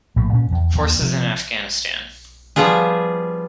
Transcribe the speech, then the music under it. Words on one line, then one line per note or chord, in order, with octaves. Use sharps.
Forces in Afghanistan.
A#1 A2 A3
A#2 C#4
E2
D#2
C3 F3
F3 G3 B3 F4 G#4